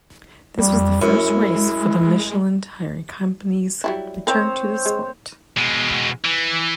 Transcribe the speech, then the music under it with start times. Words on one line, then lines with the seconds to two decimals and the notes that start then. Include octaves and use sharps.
This was the first race for the Michelin tyre company's return to the sport.
0.58 F2 G3
1.02 F#2 G#3 E4
3.84 F#3 G3 E4
4.27 C4 A#4 C5 C#5 F5 G5
4.86 G#3
5.57 B2 G#3
6.25 E3